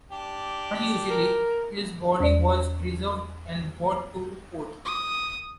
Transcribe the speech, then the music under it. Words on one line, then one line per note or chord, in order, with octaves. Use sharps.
Unusually, his body was preserved and brought to port.
D4 G4
A#4
E2 D5
D#6